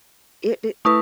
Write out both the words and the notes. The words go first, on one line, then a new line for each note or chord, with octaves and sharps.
It it
A3 E4 B4 C#6 D#6